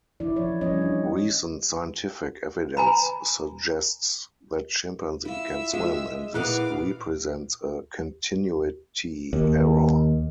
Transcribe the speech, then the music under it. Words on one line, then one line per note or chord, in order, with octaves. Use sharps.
Recent scientific evidence suggests that chimpanzee can swim, and this represents a continuity error.
E3 E4 D5
F3 C#5
F3 G3 C#4 C#5 D#5
D4
G#5 A#5 B5
E4 F4 E5 E6
G#3 F4
A#2 D#3 E3 B3 F5 D6 F#6
D#2